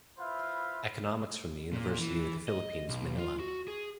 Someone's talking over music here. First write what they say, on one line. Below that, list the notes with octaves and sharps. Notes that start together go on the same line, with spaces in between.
Economics from the University of the Philippines Manila.
E4 F4 B4 C5 E5 F5
A#2
E3
D#5
B1
F4
F#4
G#4